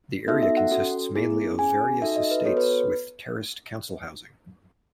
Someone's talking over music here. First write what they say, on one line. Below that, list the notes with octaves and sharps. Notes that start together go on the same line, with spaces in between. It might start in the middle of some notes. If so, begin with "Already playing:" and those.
The area consists mainly of various estates, with terraced Council housing.
B3 D#4 F#4 A4 E5
E5
F#5
C#4 F#4 A4
B3 E4 G#4
C#4 G#4 G#5
D#4 F#4 A4 E5
D#5
B4
B3 F#4 A4 C#5
B4